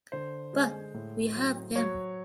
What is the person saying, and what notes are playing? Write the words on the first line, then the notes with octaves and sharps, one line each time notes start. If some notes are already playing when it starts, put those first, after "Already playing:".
But we have them!
D3 C5
G#3
A2
F#3
F#3 C#5